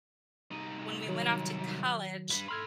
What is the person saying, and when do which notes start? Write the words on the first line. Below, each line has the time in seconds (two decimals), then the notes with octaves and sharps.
when we went off to college,
0.51 C2 D#4
1.06 D#3 F#3
2.30 G2 B4
2.48 A4 B5 C6 F6 G#6